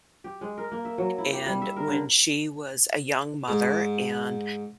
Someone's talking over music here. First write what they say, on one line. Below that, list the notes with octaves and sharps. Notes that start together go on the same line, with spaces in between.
and when she was a young mother, and
G4
G#3
A#4
A#3
E5
F#3
E4
G4
G3
E5
A#4
D3
G#2